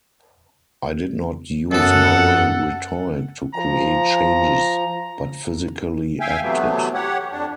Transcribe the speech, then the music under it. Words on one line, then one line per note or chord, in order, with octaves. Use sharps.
It did not use moral rhetoric to create changes but physically acted.
F#2 B3 A4 F#5
F3 A#5
E5 F5 G5 G#5
C3 E3 F#3 A3 B3
G4 C#5 F#5
F2 D4